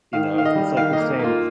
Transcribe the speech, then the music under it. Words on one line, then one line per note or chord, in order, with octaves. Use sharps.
you know? It's it's like the same
D#3 F5
D#3 F5
D#5
G3
D#3 F5
A#3 D#5
A#3 F4